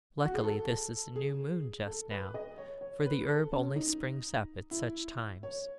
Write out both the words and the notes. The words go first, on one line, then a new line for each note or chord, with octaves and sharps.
Luckily this is a new moon just now, for the herb only springs up at such times.
F#4
G#4
A4
G#4
A4
B4
D#5
C#5
C#5
B4
A4
C#4
D#4
E4
C#5